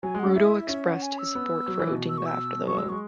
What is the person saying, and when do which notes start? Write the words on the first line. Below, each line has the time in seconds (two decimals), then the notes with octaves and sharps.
Ruto expressed his support for Odinga after the vote.
0.03 F#3 G#5
0.15 G#3 F#5
0.25 C#4
0.35 E4 E5
0.69 C#4 E5
0.86 F#5
1.02 G#5
1.18 E6
1.35 B3
1.68 F#3
1.79 E3
1.90 B2
2.09 E6
2.18 C#6
2.26 E6
2.67 F#3 C#6
2.75 G#3 E6
2.84 F#3
2.89 G#3 C#6